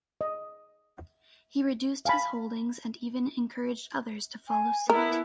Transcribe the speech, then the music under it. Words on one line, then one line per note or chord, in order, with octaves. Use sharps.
He reduced his holdings and even encouraged others to follow suit.
D#5
F5 G#5 A5 B5
G#5
B3 E4 A#4 A5